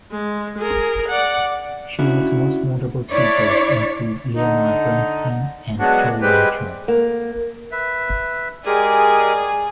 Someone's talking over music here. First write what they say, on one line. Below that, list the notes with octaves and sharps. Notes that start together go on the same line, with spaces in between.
Sheng's most notable teachers include Leonard Bernstein and Chou Wen-Chung.
G#3
G#4 A#4
D5 F#5
C#4 D4 E4 F#4
D4 E4 C#5 D5
D3 D#4
F#3 G#3 B3 D4 F#4
G3 G#3 C4 G4 B4
A#3
B4 E5
G#3 G4 G#4 A#4 D5 G#5